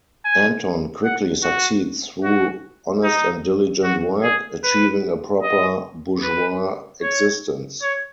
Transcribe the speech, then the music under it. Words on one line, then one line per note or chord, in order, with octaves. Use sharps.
Anton quickly succeeds through honest and diligent work, achieving a proper bourgeois existence.
G#5
F#5
F#4
F#4
D#4
F#4
G#4
B4
D#5
B4
C#5
C#5